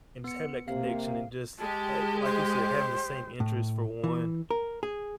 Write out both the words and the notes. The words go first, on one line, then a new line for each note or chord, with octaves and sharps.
and just having that connection, and just a like you said, having the same interest for one,
B3 C#7
C3 A#3 F5
G#3 G4 A5
C5
A2
E3
A#4
G#4